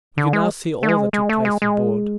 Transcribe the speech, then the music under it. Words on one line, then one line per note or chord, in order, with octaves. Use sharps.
We could now see all that took place on board.
D3
G#3
A3
G#3
G#3
A3
G#3
G#3